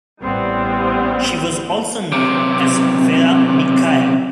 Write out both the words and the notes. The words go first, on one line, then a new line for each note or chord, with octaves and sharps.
She was also known as Vera Micaia.
A1 G3 B3 C4
B1 C3